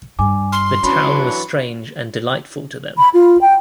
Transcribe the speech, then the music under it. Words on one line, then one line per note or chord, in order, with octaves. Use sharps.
The town was strange and delightful to them.
G2 G#5 D6
C6 F6
E3 F#3 C#4 D4 B5
B5
F4
G5